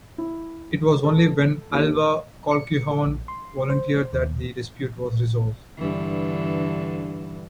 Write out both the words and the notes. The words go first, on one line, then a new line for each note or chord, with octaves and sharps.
It was only when Alva Colquhoun volunteered that the dispute was resolved.
E4
A4
D#2
C#7
A4
A#1
C6
C5
D#2
G2 D3 E3